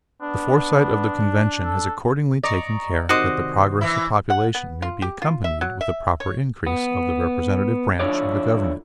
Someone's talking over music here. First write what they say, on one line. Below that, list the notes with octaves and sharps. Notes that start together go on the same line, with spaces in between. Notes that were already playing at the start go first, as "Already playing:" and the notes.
The foresight of the convention has accordingly taken care that the progress of population may be accompanied with a proper increase of the representative branch of the government.
B3 D4
A4
D5 D#5 A#5 C#6
C3 D#3 F#4 C5 D#5 D6
E3 E4
F#5
B3
F4
G4
F4
E5
F#3
E5
C#5
B3
D3 F3 D4 E4 C#5 D5